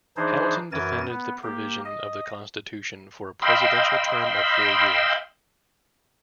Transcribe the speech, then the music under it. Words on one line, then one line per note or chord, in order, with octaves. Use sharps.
Hamilton defended the provision of the constitution for a presidential term of four years.
E3 D4 D#4 G#4 C5
F#2 E3 A#4 G#5 A6
B3
A#3 G4
D#5
D#5 F5 G5 B5 C6 E6